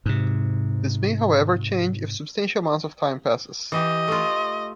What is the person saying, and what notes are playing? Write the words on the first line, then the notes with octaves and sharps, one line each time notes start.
This may, however, change if substantial amount of time passes.
G#2 C3
E3 G4 D#5
A3 F4